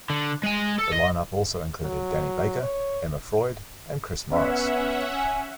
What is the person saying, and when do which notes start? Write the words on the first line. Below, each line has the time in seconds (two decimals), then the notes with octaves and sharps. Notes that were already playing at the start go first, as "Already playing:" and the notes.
The line up also included Danny Baker, Emma Freud and Chris Morris.
0.10 D3
0.43 G#3 G#5
0.79 A4
0.93 D#5
1.85 F#3
2.63 C#5
4.31 B3 C#4 E5 F#5
5.16 G#5